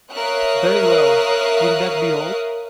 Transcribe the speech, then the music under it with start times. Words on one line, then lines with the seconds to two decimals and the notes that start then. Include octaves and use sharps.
Very well, will that be all?
0.13 A#4 C#5 E5 F5 D#6 F#6